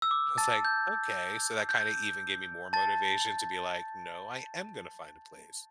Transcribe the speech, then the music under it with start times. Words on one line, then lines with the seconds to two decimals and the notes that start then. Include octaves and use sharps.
I was like, "Okay." So, that kinda even gave me more motivation to be like, "No, I am gonna find a place."
0.02 E6
0.11 D6
0.38 A5 A6
0.65 G6
1.69 G6
2.73 A5 A6